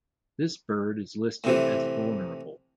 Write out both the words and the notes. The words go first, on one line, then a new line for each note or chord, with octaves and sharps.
This bird is listed as vulnerable.
A2 C3 E3